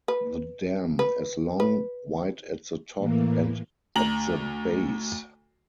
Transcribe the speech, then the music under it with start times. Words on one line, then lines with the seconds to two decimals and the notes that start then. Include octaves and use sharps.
The dam is long, wide at the top and at the base.
0.08 B4
0.99 B4
1.60 B4
2.98 A2 E3 A#3
3.96 D2 A#5 F#7